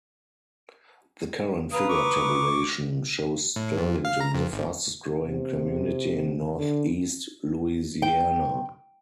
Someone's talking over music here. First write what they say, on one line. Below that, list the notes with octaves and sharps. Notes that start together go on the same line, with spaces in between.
The current figure tabulation shows Sterlington the fastest-growing community in Northeast Louisiana.
B4 F5 A#5 D#6
C#6 D6
A2
F2
F5
A#5
F2
G#1
C3
D3
G5